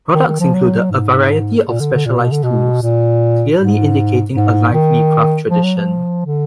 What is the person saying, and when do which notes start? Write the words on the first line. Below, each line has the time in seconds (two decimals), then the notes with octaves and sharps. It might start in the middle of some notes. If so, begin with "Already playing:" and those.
Products included a variety of specialised tools, clearly indicating a lively craft tradition.
0.14 D#3
0.27 D#3
0.40 F3
0.54 F#3
0.91 G#2
1.68 A#2
1.80 D3
1.93 D3
2.06 A#2
2.18 B2
2.32 D3
2.44 B2
2.82 A#2
3.59 G#2
4.35 G#2
4.74 D#3
5.49 F3
5.64 F#3
5.77 F3
6.26 D3